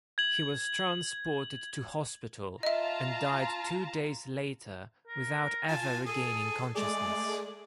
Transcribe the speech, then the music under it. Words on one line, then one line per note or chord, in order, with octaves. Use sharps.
He was transported to hospital and died two days later without ever regaining consciousness.
G#6 F#7
F4 D#5 E5 A5 A#5
A#4
F4 G#5 A5
G#4 A4
G#3 A3 G#4 D5